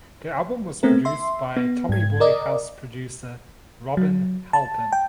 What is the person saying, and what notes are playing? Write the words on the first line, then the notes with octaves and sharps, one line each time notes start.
The album was produced by Tommy Boy house producer Robin Halpin.
A3 B3 C4 A#4
E5 C6
B3
G#2 G#6
A#4 D5 D#5
F#3
A5
G5